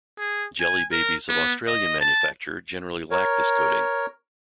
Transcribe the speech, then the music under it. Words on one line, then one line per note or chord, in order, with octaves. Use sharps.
Jelly babies of Australian manufacture generally lack this coating.
G#4
G#5
A#4
B3
D#5
A5
A#4 C#5